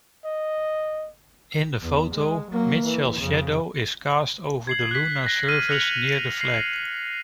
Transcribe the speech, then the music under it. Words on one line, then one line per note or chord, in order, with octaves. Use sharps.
In the photo Mitchell's shadow is cast over the lunar surface near the flag.
D#5
E2
G#3
F#3 A#3
E3
F2 C#3
G#6 C7 F#7
F#6 B6
F#6 A#6
F6 C7 D#7
F#6 A#6 C#7 F7 F#7
C7